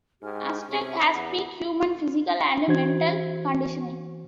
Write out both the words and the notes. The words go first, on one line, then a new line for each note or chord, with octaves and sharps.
Aztek has peak human physical and mental conditioning.
G#2 G4 G#5 F6
C3 C#4 E5 C#6
E2 F#5
E3 F#4 C5 G#6